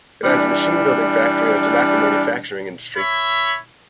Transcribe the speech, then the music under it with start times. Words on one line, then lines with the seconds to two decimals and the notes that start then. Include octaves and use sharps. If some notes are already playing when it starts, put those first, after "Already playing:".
It has a machine-building factory and a tobacco manufacturing industry.
0.24 E3 G3 D4
2.96 C#5 E5 B5